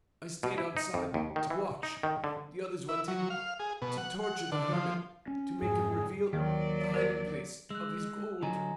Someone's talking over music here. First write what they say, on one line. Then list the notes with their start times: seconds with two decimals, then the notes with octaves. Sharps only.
"I stayed outside--to watch--the others went in--to torture the hermit--to make him reveal--the hiding-place--of his gold."
0.43 B2
0.58 E4
0.77 D#4
0.94 F2
1.14 D#2
1.36 D#3
1.50 E3
1.83 D#4
2.03 D#3
2.24 D3
2.89 E4
3.08 F#3
3.30 F5
3.60 G#4
3.82 B2
3.98 F#5
4.23 F#5
4.52 D3
4.73 F3
5.28 C#4
5.62 F2 G#2 G#4
6.33 D#2 D#3 F#3 D5
6.94 A#4 C5
7.70 G#3 E6 F#6
8.42 D3 F#3 D#5 G#5 A#5